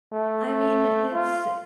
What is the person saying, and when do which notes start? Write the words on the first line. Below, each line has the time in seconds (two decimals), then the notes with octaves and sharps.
I mean, it's
0.12 A3
0.45 A3
1.13 F4